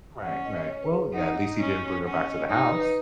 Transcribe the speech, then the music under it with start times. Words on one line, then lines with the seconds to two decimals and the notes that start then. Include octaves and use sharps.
Right, right. Well, yeah, at least he didn't bring her back to the house.
0.22 C#4 F#5
0.45 D#5
0.68 C#5
0.83 B4
0.90 G#4
1.13 D#4 F#5
1.43 D#5
1.59 C#4
1.74 C#5
2.04 C#4 F#5
2.27 D#5
2.49 D#4 C#5
2.73 B4